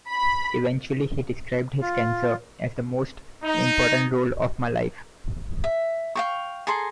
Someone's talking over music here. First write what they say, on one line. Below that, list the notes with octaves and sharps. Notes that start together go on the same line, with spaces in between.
Eventually he described his cancer as "the most important role of my life".
B5
F4
D#4
E5
F5 G5 C#6
G#4 A4 A#5 C6